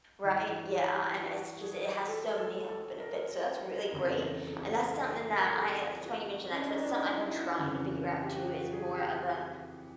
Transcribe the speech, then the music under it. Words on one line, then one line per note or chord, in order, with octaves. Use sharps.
Right, yeah, and it's just it has so many health benefits, so that's really great, and that's something that I it's funny you mention that, 'cause that's something I've been trying to figure out too, is more of a
G2 E3 E4
F#4
G4
F#4
G#4
A4
A4
A4
A#4
F2 C#3 E3 A#4
A4
A4
G#4
A4
A#4
A#4
A4
G#4
F#4
C#4
D4
D#4
D4
D#4
E4
F#4
F2 C#3 E3
G4
F#4
F4
G#4
G4
F#4